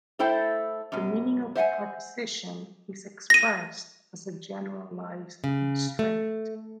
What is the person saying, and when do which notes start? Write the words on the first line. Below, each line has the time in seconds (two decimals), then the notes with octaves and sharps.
The meaning of a proposition is expressed as a generalised constraint.
0.19 A3 E4 A4 C5 G5
0.92 F#2 B2
1.55 C5 E5 F#5 G#5
3.30 A#6 D#7
5.44 C#3
5.99 A3